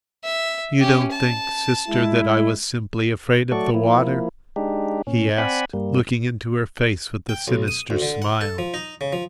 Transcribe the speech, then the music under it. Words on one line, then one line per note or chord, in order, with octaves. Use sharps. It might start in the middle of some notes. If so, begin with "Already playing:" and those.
"You don't think, sister, that I was simply afraid of the water?" he asked, looking into her face with a sinister smile.
E5
C#4 G4
A5
G#3 E4
F#3 A3 F#4 A4 D5 C#6
F3 A#3 E4
G#3 D4 D#4 G4
A#2 C#4
C4 D5 F#5 G#5 B5
G2 G3 A#3
G5
B1
D#6
D2
D3
F#5
A4
F3
D#4
C#3
F3